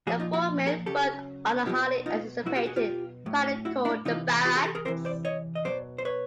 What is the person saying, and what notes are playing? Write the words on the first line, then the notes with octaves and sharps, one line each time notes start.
The four men worked on the highly anticipated Pilot called The Barracks.
A#2 F3 F#4 G#4
D#4 F4
E4 F#4
G#4 A#4
C#3 F#3 G4 A4
B2 F#3 F4 G4
D#4 F4
B2 F#3 E4 F#4
F4 G4
F#4 G#4
F4 G4
A2 F#3
E4 F#4
D4 E4
C3 E3 D#4 F4
F4 G4
F#4 G#4
G4 A4
G#4 A#4
C3 E3 A#4 C5
C5 D5
C#5 D#5
D#5
B2 F#3 C5 D5
C5
B4 C#5